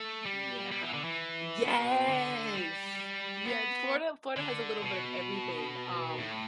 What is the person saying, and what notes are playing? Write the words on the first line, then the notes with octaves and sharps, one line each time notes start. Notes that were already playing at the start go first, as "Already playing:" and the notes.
Yeah. Yes Yeah, Florida, Florida has a little bit of everything. Um,
Already playing: A3
G3
G3
E3
D3
E3
B2
D3
G3
B3
D3
B2
A2